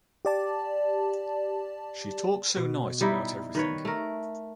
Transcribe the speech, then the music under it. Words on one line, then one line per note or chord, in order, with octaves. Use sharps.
She talked so nice about everything.
G4 D5 A5
B2
G3 D#4 E4
D#3 B4 C#5
A3 A#4